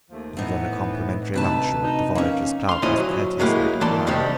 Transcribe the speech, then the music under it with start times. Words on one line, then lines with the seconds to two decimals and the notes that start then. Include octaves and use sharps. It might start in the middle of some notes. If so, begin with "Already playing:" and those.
Even a complimentary luncheon at the Voyagers’ Club was courteously declined.
0.11 D#2 F3 A3
0.37 A2 E3 B3 C4 D#4
1.34 D2 G2 C3 D#4 B4 A5
1.83 D#4
2.15 A#3 C#4
2.69 F5 C6
2.82 A#2 D3 F3 C#4 E4 D#5
2.97 F#3
3.40 F#3 G#3 A#3 E4 G4
3.81 D3 E3 A#3 D5 A5 C6
4.07 G2 C3 D#3 F3 G3